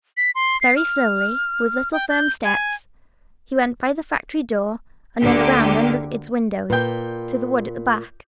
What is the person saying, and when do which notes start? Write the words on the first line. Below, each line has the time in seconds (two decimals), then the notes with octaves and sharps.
Very slowly, with little firm steps, he went by the factory door, and then around under its windows to the wood at the back.
0.17 B6
0.35 C6
0.61 C7
0.77 F6
1.93 G5
2.09 G6
2.43 G#5
5.21 D2 D3 A#3 G4
6.70 A#2 B4 G5 G6